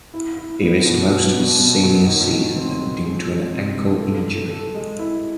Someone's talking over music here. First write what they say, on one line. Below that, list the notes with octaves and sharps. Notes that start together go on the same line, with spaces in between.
He missed most of his senior season due to an ankle injury.
E4
E4
B3
B2
F#3
B2
B2
F#3
D#3
D#3
C4
G#3
G#3
G#3
C3
C3
A4
A4
A4
G#3
E4